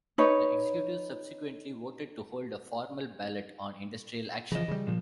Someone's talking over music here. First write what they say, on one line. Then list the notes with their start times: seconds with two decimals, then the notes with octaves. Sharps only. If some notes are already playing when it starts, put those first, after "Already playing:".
The executive subsequently voted to hold a formal ballot on industrial action.
0.18 D#4 B4 C#5
4.52 C#3 E3 F3 D#5
4.68 C#3 G3
4.87 A#2 F3